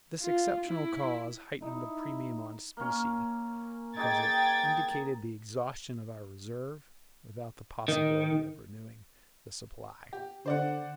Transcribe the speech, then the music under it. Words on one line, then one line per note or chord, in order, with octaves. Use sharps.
This exceptional cause heightened the premium on specie, because it indicated the exhaustion of our reserve, without the possibility of renewing the supply.
F4
E4
D#4 E4
A#3 C#4
D#4 G#4 G5 D6 G#6 A6
D#3
G4
D3 C5 D5 F#5